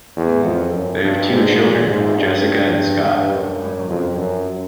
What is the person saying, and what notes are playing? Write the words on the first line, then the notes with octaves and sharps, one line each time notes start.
They have two children, Jessica and Scott.
E2
F2
F#2
G2
G#2
A#2
G#2
G2
G2
F#2
F2
F#2